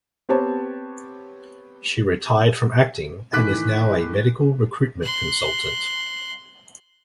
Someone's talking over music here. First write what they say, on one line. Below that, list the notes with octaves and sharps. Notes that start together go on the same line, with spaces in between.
She retired from acting, and is now a medical recruitment consultant.
B3 C4 G4 C#5 A5
A2 D#3 E3 D6 F#6 B6
C6 F#6